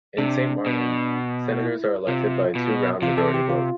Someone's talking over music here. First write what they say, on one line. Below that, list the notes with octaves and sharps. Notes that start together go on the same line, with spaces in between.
In Saint-Martin, senators are elected by a two round majority vote.
C3 D4
B2
E4
C3 F4
B2
C3 F4
A4
G4
F4